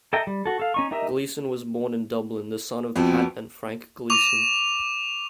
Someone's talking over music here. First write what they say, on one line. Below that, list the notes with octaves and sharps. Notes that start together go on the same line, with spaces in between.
Gleeson was born in Dublin, the son of Pat and Frank Gleeson.
A4 D#5 E5 G5 A#5
G3
F#4 A4
A4 F5
C#4 D#4 C#6
D#4 G4 A#4 D#5 E5
F2 B3 C4 F#4
C#6 D6 F7